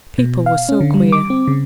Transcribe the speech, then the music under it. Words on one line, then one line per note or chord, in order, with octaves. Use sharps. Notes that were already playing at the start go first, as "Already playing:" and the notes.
People were so queer.
B2
F5
C#4
D3
G3
D6
C4
C#3